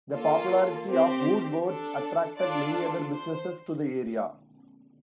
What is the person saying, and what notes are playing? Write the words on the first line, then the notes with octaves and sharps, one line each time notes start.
The popularity of Woodward's attracted many other businesses to the area.
A#3 F4 A4
C4 G4 C5
D4 A4
D4 F4 A4 D5
C5